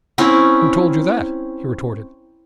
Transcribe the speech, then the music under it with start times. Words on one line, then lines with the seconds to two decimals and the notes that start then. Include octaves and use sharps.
"Who told you that?" he retorted.
0.18 C4 C#4 E4 A#4